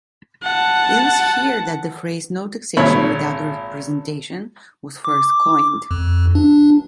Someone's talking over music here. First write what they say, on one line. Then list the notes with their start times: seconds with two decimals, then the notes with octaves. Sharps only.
It was here that the phrase "no taxation without representation" was first coined.
0.43 F#5 A5
2.77 G#1 A#2 C#5 B5
5.05 D6
5.91 F2
6.35 D4